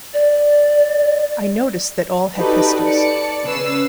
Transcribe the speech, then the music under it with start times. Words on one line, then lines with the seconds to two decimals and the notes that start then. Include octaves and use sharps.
I noticed that all had pistols.
0.14 D5
2.36 D#4 F#4 G4 A4 B4 D5
2.85 D5 A5 C#7
3.45 C#3 C#4 B4 E6 C7